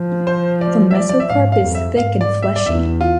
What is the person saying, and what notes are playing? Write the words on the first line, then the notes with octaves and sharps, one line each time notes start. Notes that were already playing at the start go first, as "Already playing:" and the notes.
The mesocarp is thick and fleshy.
Already playing: F3
C5
D5
E5
D5
D5
E5
G#2 F5
F5
F2
E5
G#2 F5
D5
E5
D5
E2 E5
F4